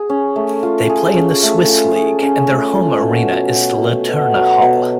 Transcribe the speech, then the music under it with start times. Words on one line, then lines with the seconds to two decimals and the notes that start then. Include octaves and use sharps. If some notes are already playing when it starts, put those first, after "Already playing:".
They play in the Swiss League and their home arena is the Litterna Hall.
Already playing: G#4
0.10 C#4
0.36 A3
0.63 F4
0.90 G#4
1.16 C#4
1.43 A3
1.69 F4
1.96 G#4
2.22 C#4
2.49 A3
2.76 F4
3.02 B2
3.29 F#3
3.55 B2
3.82 A3
4.09 B2
4.36 F#3
4.62 B2